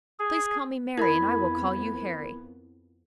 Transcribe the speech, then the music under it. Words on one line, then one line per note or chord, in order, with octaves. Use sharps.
Please call me Mary, and I will call you Harry.
G#4
F2 B3 E4 A#4 B5 G#6